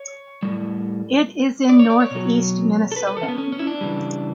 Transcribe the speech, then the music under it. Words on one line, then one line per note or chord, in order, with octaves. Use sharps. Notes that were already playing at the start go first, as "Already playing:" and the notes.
It is in northeast Minnesota.
Already playing: C#5
A2 G3
D5
C#5
D5
C#5
B2 F#3
A4
B4
B4
A4
C#4
B3
C#4
C#4
E4
D4
C#3 E3 G3